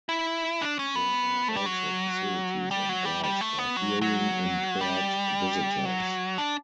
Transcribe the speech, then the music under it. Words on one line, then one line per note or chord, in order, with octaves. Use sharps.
There are also facilities and guides for hearing impaired visitors.
E4
D4
C#4
B3
A3
G3
F#3
G3
F#3
G3
G3
A3
B3
F#3
F#3
G3
F#3
D4